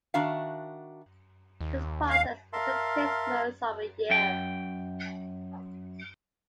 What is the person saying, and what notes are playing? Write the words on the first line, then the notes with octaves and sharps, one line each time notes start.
This process also takes most of a year.
D#3 D4 F#4 E5 F5
D#2
F5
A#4 E5 F5 A5 C6
F#2 G5